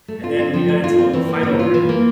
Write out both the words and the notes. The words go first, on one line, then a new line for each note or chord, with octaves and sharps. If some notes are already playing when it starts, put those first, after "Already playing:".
and then we got into a a fight over it,
A3
F4
C4
F3
A3
F4
C4
E3
A#3
E3
F4
E3
A#3